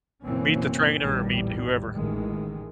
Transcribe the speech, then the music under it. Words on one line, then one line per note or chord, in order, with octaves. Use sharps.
Meet the trainer or meet whoever.
F#1 B2 E3 A#3 C4 C#4
A#1 E2 A2 D#3 G3
A1 D#3 E3 G#3